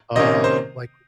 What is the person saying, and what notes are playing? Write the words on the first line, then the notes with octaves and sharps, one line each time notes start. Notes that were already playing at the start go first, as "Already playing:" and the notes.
um, like,
C3 D#3 A#3 C#4 D#5
C5